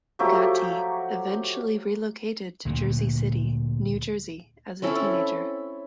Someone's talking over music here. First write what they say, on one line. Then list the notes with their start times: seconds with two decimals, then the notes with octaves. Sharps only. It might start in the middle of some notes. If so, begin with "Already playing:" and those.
Gatti eventually relocated to Jersey City, New Jersey as a teenager.
0.19 F3 F#3 A3 G4
2.65 D2 A#2
4.82 C4 C#4 E4 A4